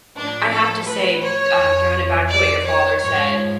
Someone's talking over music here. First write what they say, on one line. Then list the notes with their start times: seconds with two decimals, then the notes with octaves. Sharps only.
I have to say, um, throwing it back to what your father said,
0.17 A2 F3 D4
0.52 A4
0.87 B4
1.23 C#5
1.59 F2 F3
2.29 D5
2.65 C#5
2.99 G#2 F3 C#5